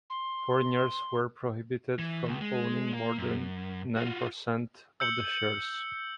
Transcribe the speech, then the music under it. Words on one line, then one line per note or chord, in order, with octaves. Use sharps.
Foreigners were prohibited from owning more than nine-percent of the shares.
C6
E3
C#2
G#3
A#3
F#2
F4 F#4
E6 G6 C#7 F#7 G7